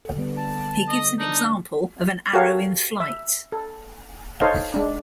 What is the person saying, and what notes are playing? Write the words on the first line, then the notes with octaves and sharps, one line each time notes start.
He gives an example of an arrow in flight.
D3 G3 B3
A5
D#5
D4 D#4
F#4 G4 A4 A#4 C#5 F5
E5
A4
D#4 A4 C5 C#5 D#5 F5
G#3 D4